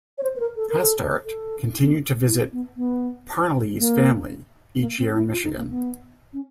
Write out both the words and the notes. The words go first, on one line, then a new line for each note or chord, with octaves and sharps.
Hastert continued to visit Parnalee's family each year in Michigan.
C#5
C5
B4
A#4
A4
A#4
A4
A4
E4
B3
B3
A#3
A#3
C4
E4
F4
D#4
A#3
B3
C#4